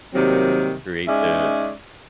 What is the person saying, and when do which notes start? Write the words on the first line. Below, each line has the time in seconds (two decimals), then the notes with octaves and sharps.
create the
0.14 C3 D#3 F#3 G3 A#3 C4
1.08 G#3 C#4 D#4 G#4 D5 E5